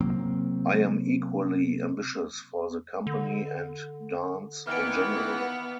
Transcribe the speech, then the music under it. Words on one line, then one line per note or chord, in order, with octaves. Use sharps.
I am equally ambitious for the Company and dance in general.
C3 F#3 A#3 C4
D3
A#2 D#3 E3 B3 F6 D7